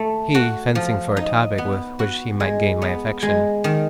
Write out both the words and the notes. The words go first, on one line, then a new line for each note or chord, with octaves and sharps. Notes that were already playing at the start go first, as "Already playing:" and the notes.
He fencing for a topic with which he might gain my affection.
Already playing: A3
F#4
F3
D#4
B3
F#4
G#3
B3
G#3
D#3